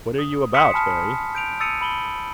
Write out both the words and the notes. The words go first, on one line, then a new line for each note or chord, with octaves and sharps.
"What are you about, Harry?"
D#6
C6 D#6 F#6 B6 C#7 E7
G#5 A5 B5 F6
G6 D7 F7
D#6 E6 A6 C#7 D#7 F7
B5 F#7 G7